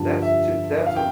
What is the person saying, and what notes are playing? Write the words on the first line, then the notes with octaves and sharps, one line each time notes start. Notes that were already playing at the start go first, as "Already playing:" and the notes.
that's to that's a
Already playing: G2 D3 F3 A5
E5
F5
G5